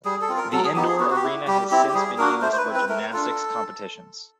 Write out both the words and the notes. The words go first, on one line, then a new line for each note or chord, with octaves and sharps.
The indoor arena has since been used for gymnastics competitions.
G3 G#4
A4
C4 F4
A#4
F#3 A4
G#4
B3 D#4 G4
G#4
B3 F#4
F#4
G4
E4
G3 G4
C4 E4 G4
G4
G3 G#4
A#3 D4 F#4 A#4
A3 C5
C5
B4
C4 E4
B4
A3 A#4
D4 F4 A4